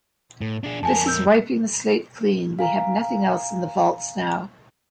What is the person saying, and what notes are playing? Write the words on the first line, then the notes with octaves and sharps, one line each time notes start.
This is wiping the slate clean, we have nothing else in the vaults now.
A2
D4 G#4
F2 A#4 G#5 A5
E6 G6
F5 G#5 A#5